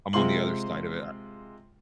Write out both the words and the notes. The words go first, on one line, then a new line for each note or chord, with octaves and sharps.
I'm on the other side of it a
C3 G#3 F4 C6 F#7